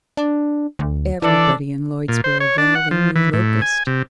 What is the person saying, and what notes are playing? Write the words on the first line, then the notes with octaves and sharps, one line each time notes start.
Everybody, in Lloydsboro Valley knew Locust.
D4
D2
E3 D4 A4 D5
A#2
C5
C#5
D4
F#5
F3
E3
A2
G#5
C3